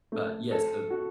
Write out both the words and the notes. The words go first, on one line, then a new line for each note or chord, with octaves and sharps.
but yeah, so
A3
A4
F#4